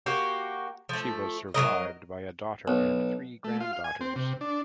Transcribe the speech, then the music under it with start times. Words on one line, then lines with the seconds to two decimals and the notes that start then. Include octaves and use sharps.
She was survived by a daughter and three granddaughters.
0.06 A#3 F#4 G4
0.89 F3 A3
1.54 F#3 A3 A#4 D#5
2.68 B1
3.44 A3
3.60 F4
3.73 F5
3.84 G#5
4.01 C4
4.16 C3
4.41 D4